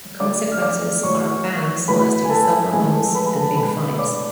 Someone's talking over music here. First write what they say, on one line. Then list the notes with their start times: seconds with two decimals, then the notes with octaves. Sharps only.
The consequences are bans lasting several months and big fines.
0.20 D3 F#3 A3 D5 D6
0.52 F6
0.62 D5 D6
1.03 A2 F#3 A3 C#5 C#6
1.88 A2 F#3 A3 B4 B5
2.24 G#5
2.30 A4 A5
2.72 A2 F3 G#3 G#4 G#5
2.93 A4 A5
3.14 B4 B5
3.36 A4 A5
3.56 B2 G#3 B4 B5
3.99 D5 D6